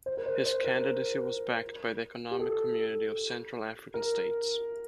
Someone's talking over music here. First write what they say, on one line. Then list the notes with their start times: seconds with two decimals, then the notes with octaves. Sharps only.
His candidacy was backed by the Economic Community of Central African States.
0.06 C5
0.17 A#4
0.26 C5
0.46 C5
0.64 A#4
2.31 G4
2.39 A4
3.94 A#4